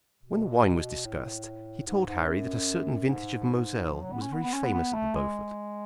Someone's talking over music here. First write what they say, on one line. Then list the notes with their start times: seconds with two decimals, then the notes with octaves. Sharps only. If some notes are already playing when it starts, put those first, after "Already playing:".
When the wine was discussed he told Harry that a certain vintage of Moselle was very famous at the Beaufort.
0.22 B2
1.05 A2
1.87 G#2
2.06 G#2
2.27 F#2
3.09 G#2
3.92 F3
4.02 F#3
4.12 B3
4.21 C#4
4.33 B3
4.43 B3
4.53 C#4
4.63 B3
4.73 B3
4.94 A3
5.15 G#3